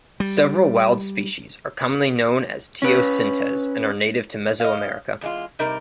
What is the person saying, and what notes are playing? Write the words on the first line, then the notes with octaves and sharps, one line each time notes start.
Several wild species are commonly known as teosintes and are native to Mesoamerica.
G3
C#4 B4
D#5 F5
E2 G#3 F4
C3 G3 D#4 A#4